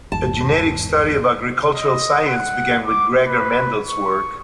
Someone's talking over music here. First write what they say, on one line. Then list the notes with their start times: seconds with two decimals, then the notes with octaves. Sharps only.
A genetic study of Agricultural science began with Gregor Mendel's work.
0.12 G1 E2 G#2 A5
1.72 D#5
2.27 F#5
2.86 D6
3.26 B4
3.86 C#6